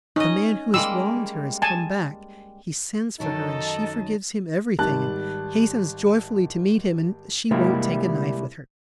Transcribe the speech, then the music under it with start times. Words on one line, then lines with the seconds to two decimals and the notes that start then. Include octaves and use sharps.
The man who has wronged her has come back, he sends for her and she forgives him everything, and hastens joyfully to meet him and she won't take a knife with her.
0.16 C#4 D#4 D#5
0.74 G3 G#3 A#3 E6
1.62 G#5 A5
3.20 F#2 D#3 F#3 D#4 A4 D#5 A5
4.79 G#1 G3 A5 F#6
7.51 C3 G3 G#3 A#3 E4